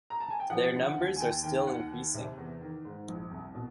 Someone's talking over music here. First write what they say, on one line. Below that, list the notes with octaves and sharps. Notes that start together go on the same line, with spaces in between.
Their numbers are still increasing.
A#5
A5
G#5
G5
F3 F#5
D3
D#2
G#5
D#2 G5
D#3 G5
G5
D#2 F#5
D#3
C3
E2
D#3
G#2
A#1
C2
B2